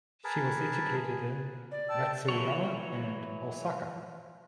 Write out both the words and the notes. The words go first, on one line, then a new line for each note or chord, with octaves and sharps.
She was educated in Matsuyama and Osaka.
G#4 A#4 B4 A5
D5
G5 A5 E6
E3 F#3 C#5